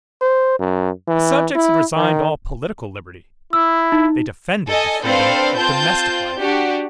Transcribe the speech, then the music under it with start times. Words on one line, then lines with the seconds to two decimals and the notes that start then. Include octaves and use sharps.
His subjects had resigned all political liberty; they defended the freedom of domestic life.
0.22 C5
0.59 F#2
1.08 E3
1.55 E4
1.96 D#3
3.53 E4 E6
3.92 D#4
4.70 A4 D#5 G#5
5.04 C4 D4 A4 B4 C5 F5
5.57 C4 F4 A5 G6
6.40 D4 F#4 G4